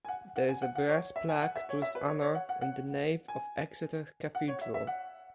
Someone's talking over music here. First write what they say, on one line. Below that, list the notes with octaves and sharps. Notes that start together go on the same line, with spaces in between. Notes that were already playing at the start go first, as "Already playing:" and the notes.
There is a brass plaque to his honour in the Nave of Exeter Cathedral.
G#5
F#5
F#5
G#5
F#5
F#5
C#5
E5
G#5
F#5
E5
C#5
E5
B4
C#5
C#5
F#5
F#5
F#5
G#5
F#5
C#5
E5
E5
F#5